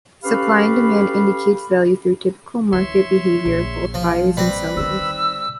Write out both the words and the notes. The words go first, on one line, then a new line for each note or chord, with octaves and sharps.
Supply and demand indicates value through typical market behavior of both buyers and sellers.
C#4 G4 A4 B4 F5 B5
E3 F3 C#5 E5 C6
A#1
F3
G3 C4 B4 B5
D#3 D#4 E6